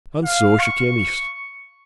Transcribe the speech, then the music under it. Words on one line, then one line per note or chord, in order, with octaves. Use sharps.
And so she came east.
F5
C#6